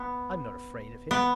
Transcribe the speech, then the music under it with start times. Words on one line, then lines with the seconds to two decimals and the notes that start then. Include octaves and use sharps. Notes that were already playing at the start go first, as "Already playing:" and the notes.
"I am not afraid of him."
Already playing: B3
1.11 B3